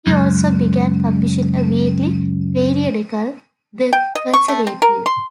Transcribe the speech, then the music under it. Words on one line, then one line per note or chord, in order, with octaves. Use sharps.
He also began publishing a weekly periodical, "The Conservative".
C#2 F#2
G5
D#5
C#6
A3
C4
A#4
C6